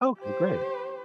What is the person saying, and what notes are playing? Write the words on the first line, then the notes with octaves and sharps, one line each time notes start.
Okay, great.
G4 C5